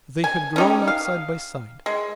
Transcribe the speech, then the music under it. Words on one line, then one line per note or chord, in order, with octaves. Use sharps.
They had grown up side by side.
G#5
C#4 D#4 G4
F5
G#3